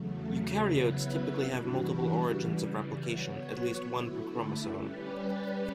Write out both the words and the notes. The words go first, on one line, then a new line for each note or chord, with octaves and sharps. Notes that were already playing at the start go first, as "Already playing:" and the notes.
Eukaryotes typically have multiple origins of replication; at least one per chromosome.
Already playing: E2 C#3 F#3 A3
C#3 F#3 B3 E4 B4
G2 E3 G3 D4 F#4
C#3 E3 G3
F#3 B3 F#4 C#5
D3 A3 E4
G3 C#4 G4 B4 D5